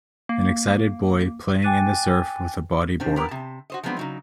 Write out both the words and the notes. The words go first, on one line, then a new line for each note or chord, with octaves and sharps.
An excited boy playing in the surf with a body board.
A#3
G5 G#5 D6 F#6 A6 D#7
C3 C#4 D4 C5
B3 G4 A#4
C3 A5
F#4 C5 D#5
F3 F#3 G#3 B3 C4 D4
C#3 F#3 D#4